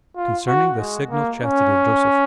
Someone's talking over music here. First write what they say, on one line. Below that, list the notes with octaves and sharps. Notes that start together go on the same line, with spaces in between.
Concerning The Signal Chastity Of Joseph.
F4
F#4
G#3
A#3
C#4